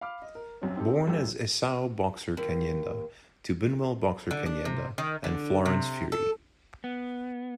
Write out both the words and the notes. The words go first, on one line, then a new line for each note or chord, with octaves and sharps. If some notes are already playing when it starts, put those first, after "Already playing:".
Born as Esau Boxer Kanyenda, to Binwell Boxer Kanyenda and Florence Phiri.
F5 B5 D6 F6
D#5
A#4
B1 F#2 C4 C#4
C4 D#4 G4 A4
C2 F#2 A3 G4 E6
D#2
D3
D4
C3
D#3
D3
C3
A4
B3